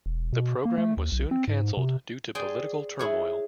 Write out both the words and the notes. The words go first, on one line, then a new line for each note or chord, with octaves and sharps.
The program was soon cancelled due to political turmoil.
E1
B2
A#3
A3
D#2
B1
C4
G#2
C3
G#4 C5 D5 G5 G#5
E4 G#4 C#5